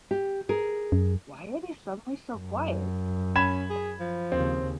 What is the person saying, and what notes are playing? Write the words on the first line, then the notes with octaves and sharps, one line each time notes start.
Why are they suddenly so quiet?
G4
G#4 A#4
F#2
F#2
C#4 B5 G#6 E7
G#4
F3
D#2 C#3 C4